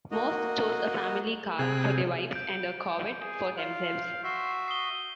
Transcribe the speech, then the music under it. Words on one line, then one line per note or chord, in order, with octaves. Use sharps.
Most chose a family car for their wives and a Corvette for themselves.
A#3 F#4 D#5
C3 G#4 G5 F#6
G6 D7
G#4
F4 F5
F#4 E5 C6
D#6 C7 G7